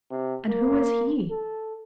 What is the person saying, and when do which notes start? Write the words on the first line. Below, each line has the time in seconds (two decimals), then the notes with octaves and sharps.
And who was he?
0.11 C3
0.49 A#3
1.30 A4